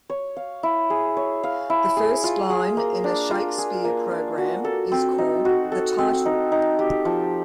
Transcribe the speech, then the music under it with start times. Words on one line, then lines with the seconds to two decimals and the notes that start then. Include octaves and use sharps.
The first line in a Shakespeare program is called the 'title'.
0.10 C#5
0.37 F5
0.63 E4
0.90 G#4
1.17 C#5
1.43 F5
1.70 E4
1.97 G#4
2.24 F4
2.50 G#4
2.77 A#3
3.04 D4
3.31 F4
3.58 G#4
3.84 A#3
4.11 D4
4.38 F#4
4.64 A4
4.92 C4
5.18 D#4
5.45 F#4
5.72 A4
5.98 C4
6.25 D#4
6.52 D#4
6.79 G4
7.05 F3